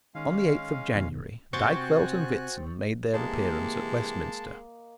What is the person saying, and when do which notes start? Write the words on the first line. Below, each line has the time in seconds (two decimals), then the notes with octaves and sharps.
On the eighth of January Dykvelt and Witsen made their appearance at Westminster.
0.15 D#3 G#3 C#4 F5
0.95 F2 B2 D#3
1.53 C3 C4 F#4 G#5 C#6 F#6 G6 A6
3.14 C3 E3 G#3 A#3 G4 D#5 A5